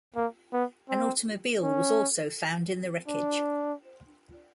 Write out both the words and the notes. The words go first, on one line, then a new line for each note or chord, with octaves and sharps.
An automobile was also found in the wreckage.
A#3
B3
C4
C#4
D4